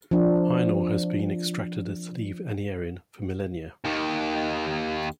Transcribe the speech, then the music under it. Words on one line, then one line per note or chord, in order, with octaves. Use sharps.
Iron Ore has been extracted at Slieve Anierin for millennia.
F3 D4
D#2 D#3